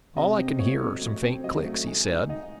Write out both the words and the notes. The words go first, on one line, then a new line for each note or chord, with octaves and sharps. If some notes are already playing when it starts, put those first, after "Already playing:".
"All I can hear are some faint clicks," he said.
C3 D#5
C4
A3 C#5
F#3
A3
C4
F#3 D#5
A3
G#3
D#4
D#4 D#5